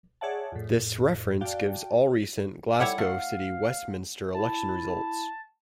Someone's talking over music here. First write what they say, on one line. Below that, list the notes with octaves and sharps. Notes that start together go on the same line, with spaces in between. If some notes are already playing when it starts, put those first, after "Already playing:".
This reference gives all recent Glasgow City Westminster election results.
G#4 C#5 D5 E5 F#5 A5
F2 A2
F#4 D5 F5 G5 A5
G3 E4 A4 C#5 F#5
A3 F5
E4 A5